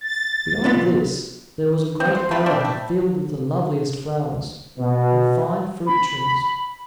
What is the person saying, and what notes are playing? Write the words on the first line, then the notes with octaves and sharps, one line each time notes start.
Beyond this there was a great garden filled with the loveliest flowers, and fine fruit trees.
A6
B1 A#2 B3
C4
C5
A3 C4 F4 B4
G3 A3 C4 D4
G3 A3
B2
B5